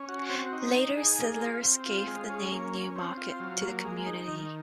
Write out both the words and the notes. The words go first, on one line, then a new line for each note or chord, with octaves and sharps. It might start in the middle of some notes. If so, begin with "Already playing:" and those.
Later settlers gave the name New Market to the community.
Already playing: C#4
F#4
C4
D#4
D#4
G#4
A#3
F4
C4
F4
G#3
C#4
A#3
C#4
C4
F4
F#3
A#3
G#3
D#4
D#3